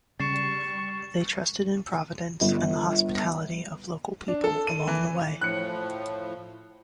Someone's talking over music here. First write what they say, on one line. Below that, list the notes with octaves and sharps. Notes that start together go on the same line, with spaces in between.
They trusted in Providence and the hospitality of local people along the way.
C#3 G3 C#6 A6 C7 E7
G1
D4
A4
D#7
E3
A2 F3 F#6 C#7